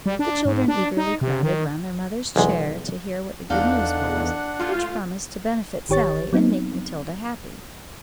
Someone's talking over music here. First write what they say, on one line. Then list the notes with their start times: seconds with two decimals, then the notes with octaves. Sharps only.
The children eagerly crowded round their mother's chair, to hear what the good news was, which promised to benefit Sally, and make Matilda happy.
0.06 G3
0.19 D4
0.45 G#2
0.68 D4
0.97 D#4
1.21 C3
1.43 D#3
2.36 B1 E2 G#3
3.50 E2 D4 D#4 A4 F5 F#5
4.59 G#3 A3 C#4 F4
5.89 G#1 D#3 G4 C#5 C#6 A6
6.33 F#3 B3 C4 D#4